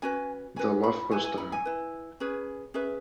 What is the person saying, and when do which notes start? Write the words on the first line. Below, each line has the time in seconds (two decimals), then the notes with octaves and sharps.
The love was there.
0.02 C#4 F#4 B4 G#5
0.56 C#4 F#4 B4 G#5
0.84 B5
1.11 E4 B4 G#5
1.24 G#5
1.38 B5
1.52 G#5
1.65 E4 B4
2.20 C#4 G#4 B4
2.74 C#4 G#4 B4 E5